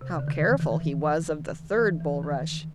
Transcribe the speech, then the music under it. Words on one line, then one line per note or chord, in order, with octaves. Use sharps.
How careful he was of the third bulrush!
C3
C#3
D3
D#3
E3
E3
D#3
E3
E3
E3
D#3